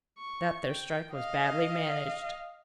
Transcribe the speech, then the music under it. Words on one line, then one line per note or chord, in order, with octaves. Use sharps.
'That there strike was badly managed.
C#6
G5
D#5 F5